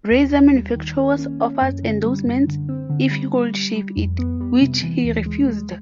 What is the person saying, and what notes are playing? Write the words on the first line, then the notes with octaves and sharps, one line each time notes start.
Razor manufacturers offered endorsements if he would shave it, which he refused.
D#2
D#2
G3
D#3
A#3
C#4
C#4
F#2
D3
G3
F#2
D3
C4
D3
G3
G3
G3
G3
F2
B3
G3
C3
E3
D#2
G#3
G#3